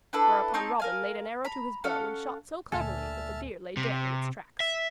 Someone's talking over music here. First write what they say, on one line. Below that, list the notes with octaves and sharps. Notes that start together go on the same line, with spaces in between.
Whereupon Robin laid an arrow to his bow and shot so cleverly that the deer lay dead in its tracks.
D4 E4 A4 B4
C4 D#4 C#5 A5
A#4 F5 G#5
A#5 B5
C#4 A4 F5 F#5
D2 A#2 D3 A4 E5 G#5 A5 F6
C3
E5